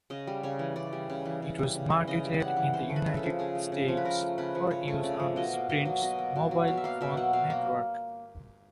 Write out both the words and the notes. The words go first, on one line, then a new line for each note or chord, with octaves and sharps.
It was marketed in the United States for use on Sprint's mobile phone network.
C#3 D#5
G3
C#3 C#5
E3
C#3 D5
G3
C#3
E3
C#3
G3
C#3
E3
C#3 D#5
G3
C#3 F#5
E3
C#3 C5
A3
B4
C#3
A4
F3
C#3 G#4
A3
C#3
F3
B4
C#3 A#4
A3
C#3 B4
F3
C#3 C#5
A3
C#3 D5
F3
B2 D#5
A#3
B2 D#5
F#3
B2 D#5
A#3
B2
F#3
B2 F5
E5
A#3 F5
B2 E5
F#3 F#5
B2 F5
A#3